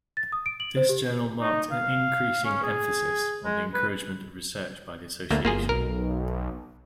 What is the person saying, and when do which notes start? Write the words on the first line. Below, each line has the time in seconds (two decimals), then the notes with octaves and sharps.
This journal marked an increasing emphasis on the encouragement of research by the Association.
0.17 A6
0.32 D#6
0.46 D7
0.60 F#7
0.76 C5
0.89 G4
1.41 D#4
1.71 F5
2.44 C#4
2.63 G#4
3.44 G#3
3.74 B4
5.31 D2 A3 A#3
5.45 G1 A#3 F4 G#4
5.69 B1 A#4